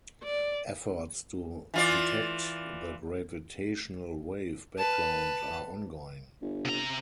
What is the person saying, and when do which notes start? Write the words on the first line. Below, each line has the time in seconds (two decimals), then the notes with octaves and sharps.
Efforts to detect the gravitational wave background are ongoing.
0.23 D5
1.74 E3 F4 D5
4.78 B4 A5
6.42 G1
6.65 C3 A#5